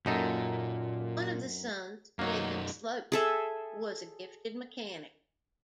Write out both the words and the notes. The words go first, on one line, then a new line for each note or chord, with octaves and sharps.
One of the sons, Jacob Sloat, was a gifted mechanic.
F#2 A#2 D#4 A4
F#2 F#3 A#3 D#4
G#4 A4 E5